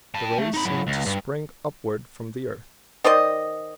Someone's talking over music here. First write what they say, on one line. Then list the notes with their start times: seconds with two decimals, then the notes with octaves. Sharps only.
The rays seemed to spring upward from the earth.
0.14 G5 A5
0.38 A3
0.54 D#4 B5
0.65 F#3 E4
0.87 C#2
1.06 G2
3.04 D#3 C5 D5 D#5